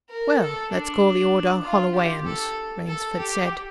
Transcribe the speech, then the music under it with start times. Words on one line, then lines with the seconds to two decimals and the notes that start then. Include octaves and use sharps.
"Well, let's call the order Hollowayans," Rainsford said.
0.10 A#4
0.42 A4
0.71 D4
1.64 F4
1.95 G4
2.26 A4
2.87 A4
3.19 G4